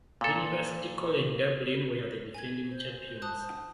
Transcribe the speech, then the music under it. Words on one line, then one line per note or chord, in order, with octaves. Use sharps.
University College Dublin were the defending champions.
A#2 A4
G#5 G#6
C5
A5 D#6 F#6